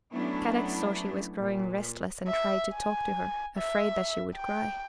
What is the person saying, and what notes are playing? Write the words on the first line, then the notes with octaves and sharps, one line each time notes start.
Kadok saw she was growing restless and tried to talk to her, afraid that she would cry.
F#3 A3 B3 C#4 D4 E4
A#2
E5
G#5
E5
G5